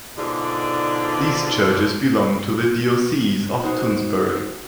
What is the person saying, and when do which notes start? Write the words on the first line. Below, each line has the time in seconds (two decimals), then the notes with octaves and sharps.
These churches belong to the Diocese of Tunsberg.
0.17 G#2 B2 D3 F4 D5
3.64 D#4 F#4 C5